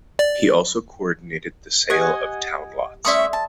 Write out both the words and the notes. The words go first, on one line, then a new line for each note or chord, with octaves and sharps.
He also coordinated the sale of town lots.
D5
G4 D#5 F#5 G#5
A3 C#4 D5 E5 C6 D#6
A5